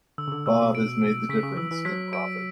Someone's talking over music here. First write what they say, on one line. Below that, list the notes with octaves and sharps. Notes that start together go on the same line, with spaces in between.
Bob has made the difference in profit.
D3 E6
C#3
D3
B2 E6
B2
D7
D7
C#3 B6
C#3
E3 E6
E3
F#3 B6
D7